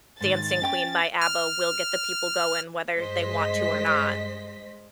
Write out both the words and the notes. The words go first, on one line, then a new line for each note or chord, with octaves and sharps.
"Dancing Queen" by ABBA will get the people going whether they want to or not.
G#2 D#3 A6
C#4 G5
F6
G2 G#3 C5 D#5 B6